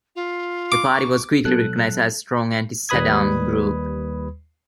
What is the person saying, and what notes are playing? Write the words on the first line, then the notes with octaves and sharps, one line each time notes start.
The party was quickly recognized as a strong anti-Saddam group.
F4
D6
C#6
B2 F#3 A4 F#6
D#2 G3 B4 B5 D#6 G#6